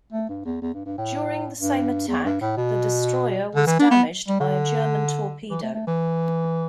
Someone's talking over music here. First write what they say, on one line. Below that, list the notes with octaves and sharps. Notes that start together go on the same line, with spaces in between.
During the same attack, the destroyer was damaged by a German torpedo.
A3
G2
E2
E2
G2
G2
A2
G2
E2
G2
A2
B2
D3
E3
D4
B3
G3
D3
E3
A3
A3
E3